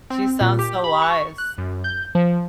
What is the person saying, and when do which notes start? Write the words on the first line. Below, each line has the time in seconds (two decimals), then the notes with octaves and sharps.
She sounds so wise.
0.10 C4
0.41 A#2
0.59 G4
0.84 B5
1.02 C#6
1.38 F#6
1.58 F#2
1.84 G6
2.15 F3